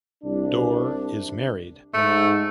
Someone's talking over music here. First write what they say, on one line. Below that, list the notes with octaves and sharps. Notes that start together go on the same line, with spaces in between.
Dorr is married.
C2 D4
G#2 A3